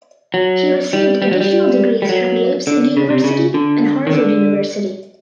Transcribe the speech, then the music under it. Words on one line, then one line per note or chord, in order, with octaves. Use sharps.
He received additional degrees from the Leipzig University and Harvard University.
F#3
G3
G3
F#3
G3
G3
F#3
D3
C#3
C3
C#3
D3
D#3
D3